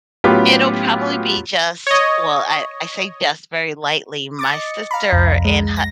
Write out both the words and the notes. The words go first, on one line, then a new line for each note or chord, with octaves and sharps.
it'll probably be just well, I I say "just" very lightly, my sister and hu
A2 F#3 B3 C#4 F4 G4
C#5 D#5
D6 A6 C#7
D#5
F5 A#5 B5
C2 F2
G#3
A#6